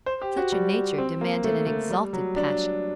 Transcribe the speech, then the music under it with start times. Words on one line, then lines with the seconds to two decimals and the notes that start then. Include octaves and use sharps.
Such a nature demanded an exalted passion.
0.06 C5
0.22 G4
0.37 F#4
0.52 G3
0.98 C4
1.21 A#3
1.44 A3
1.67 A3
1.90 G3
2.13 F#3
2.36 D4